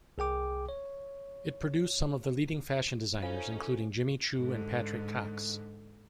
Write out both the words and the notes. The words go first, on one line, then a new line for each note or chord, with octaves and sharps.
It produced some of the leading fashion designers, including Jimmy Choo and Patrick Cox.
C2 G#4 G5 D6
C#5
C#4 D#4 F4 A4 C5 F5
G#2 D3